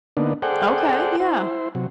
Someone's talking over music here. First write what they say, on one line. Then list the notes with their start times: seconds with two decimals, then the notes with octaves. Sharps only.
Okay, yeah.
0.17 D3 A#3 B3 D4 D#4
0.42 G#4 A4 C5 D5 F#5 G5
1.20 E4 C5
1.75 C3 F#3